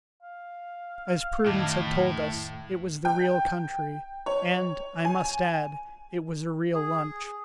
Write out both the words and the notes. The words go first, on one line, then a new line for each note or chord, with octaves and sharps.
As Prudence had told us, it was the real country, and, I must add, it was a real lunch.
F5
F2 A2 D#3 D6
G5
C#5
G#5
G#4